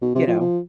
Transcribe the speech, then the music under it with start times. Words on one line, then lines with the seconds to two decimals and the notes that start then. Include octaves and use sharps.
You know?
0.02 B2
0.15 C3
0.27 F3
0.40 F3